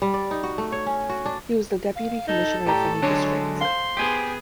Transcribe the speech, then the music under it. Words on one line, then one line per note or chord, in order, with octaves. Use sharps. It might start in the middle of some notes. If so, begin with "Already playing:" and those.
He was the Deputy Commissioner of Feni District.
G3
D5
D#4
F#4
A3
C#5
C#4
F#4
D4
F5
D#4 A4
A2 G4 D5 A#5
D3 F#3 G#3 D4 C#5
C5 F5 C6
B3 G4 G#4 G#5